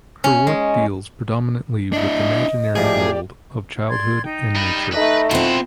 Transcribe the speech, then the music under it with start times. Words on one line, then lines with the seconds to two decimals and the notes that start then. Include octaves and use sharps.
Her work deals predominately with the imaginary world of childhood and nature.
0.24 C#4
0.47 G#3
1.93 D4 E4 D#5
2.75 A2 F3 G4 G#4 D5
3.89 D5 C6 G#6
4.24 D#4 G5
4.56 G3 B4
4.93 A3 D#4 B4 D#5 E5
5.31 B2 C4 E4 F4 F#5 C6